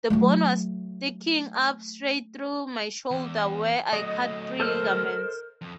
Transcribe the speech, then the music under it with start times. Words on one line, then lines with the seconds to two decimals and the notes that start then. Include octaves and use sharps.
The bone was sticking up straight through my shoulder where I cut three ligaments.
0.10 F#3 A3
3.11 E2
3.93 F#3 A3 D#5
4.60 A4 A#4 C5 F6
5.61 F2